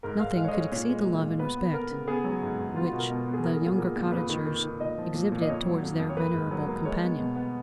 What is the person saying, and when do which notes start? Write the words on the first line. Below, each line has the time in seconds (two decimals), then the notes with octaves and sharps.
Nothing could exceed the love and respect which the younger cottagers exhibited towards their venerable companion.
0.03 G#2 A#4
0.20 G#2 F5
0.37 G#3 F5
0.44 C#5
0.48 D#5
0.55 G#3
0.60 C#5
0.72 A#2 C#5
0.89 G#3
1.05 A#2
1.23 A#2
1.39 B3 B4
1.57 B3
1.73 B3 A#4
1.91 C#3
2.07 B3 G#4
2.24 F#3
2.43 G#2
2.59 G#2
2.76 B3 F4
2.87 F#4
2.93 B2
2.98 A#4
3.10 B2
3.27 B3
3.34 G#4
3.44 B3 A#4
3.56 G#4
3.62 A#2
3.68 G#4
3.78 A#2 A#4
3.96 A#2
4.12 F2 B4
4.29 D#3
4.46 D#3
4.63 D#3
4.80 A#2 D#5
4.98 F3
5.14 A#2
5.32 A#2
5.42 D#5
5.49 F2 C#5
5.66 F#3
5.83 F2
6.00 F2
6.09 C#5
6.17 A#3 B4
6.33 G#2
6.51 F#3
6.68 A#3
6.85 G#3 C#5
7.02 B3
7.19 B2
7.36 B3